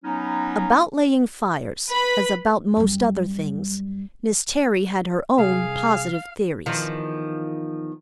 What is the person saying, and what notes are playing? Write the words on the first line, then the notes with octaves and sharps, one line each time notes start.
About laying fires, as about most other things, Miss Terry had her own positive theories.
F#3 B3 C#4 D#4
B4 B5
F#2 G3
C2 G#4 F5
E2 D#3 F3